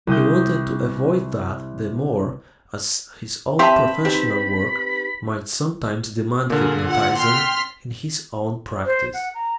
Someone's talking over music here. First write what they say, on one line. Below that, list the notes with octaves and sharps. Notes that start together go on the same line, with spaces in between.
He wanted to avoid that the more as his own professional work might sometimes demand hypnotizing in his own practice.
C2 D#6 G6
C4 G4 E5 A5 B5 C6
C4 D#4 G4 B4
A#2 D3 G#4 A#4
F4 F#5
G5 C6 F6 B6
C5
F#5
A#5